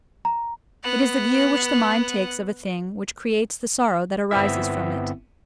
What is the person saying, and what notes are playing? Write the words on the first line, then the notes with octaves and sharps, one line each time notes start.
It is the view which the mind takes of a thing which creates the sorrow that arises from it.
A#5
B3 F#5
G1 B3 C4 E4 E5